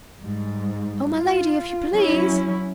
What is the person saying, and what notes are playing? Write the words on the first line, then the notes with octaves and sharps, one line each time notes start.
"Oh, my lady! if you please!"
G#2 G3
F4
F#3 C#4 E4